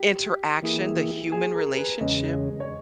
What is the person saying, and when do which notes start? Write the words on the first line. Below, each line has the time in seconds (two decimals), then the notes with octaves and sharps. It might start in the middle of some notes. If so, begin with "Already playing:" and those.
interaction, the human relationship?"
Already playing: G4
0.62 E3 A#3 E4 G#4
1.32 G#4
1.55 A#4
1.77 B4
2.00 E2 C#3 G#3 C#4 D#5
2.60 C#5